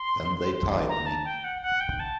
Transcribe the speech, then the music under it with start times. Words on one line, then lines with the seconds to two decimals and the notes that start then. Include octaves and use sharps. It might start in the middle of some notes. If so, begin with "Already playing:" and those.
Then they tied me.
Already playing: C6
0.89 A#5
1.06 A5
1.25 G5
1.44 F#5
1.62 F#5
1.80 G5
2.00 A5